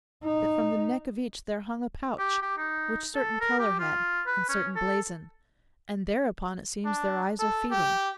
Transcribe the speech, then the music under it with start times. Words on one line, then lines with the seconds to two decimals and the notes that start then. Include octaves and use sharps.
That from the neck of each there hung a pouch, Which certain colour had, and certain blazon; And thereupon it seems their eyes are feeding.
0.24 D#4
2.19 G4
2.42 G4
2.58 D#4
3.15 A4
3.41 A#4
3.59 G4
3.79 F4
4.26 B4
4.49 C#4
4.76 A4
6.85 D4
7.39 A4
7.71 G4